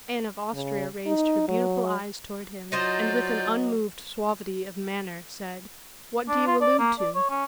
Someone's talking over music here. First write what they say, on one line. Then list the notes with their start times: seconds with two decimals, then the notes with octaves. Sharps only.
Anne of Austria raised her beautiful eyes towards him, and with an unmoved suavity of manner, said, "What do you allude to?"
0.54 C#3
1.06 D#4
1.48 F#3
2.72 F#3 D#4 F4 C5 D5 D#5 G6
6.28 D4
6.47 F4
6.61 D5
6.79 A#3
6.99 D5
7.15 C#5
7.30 C#4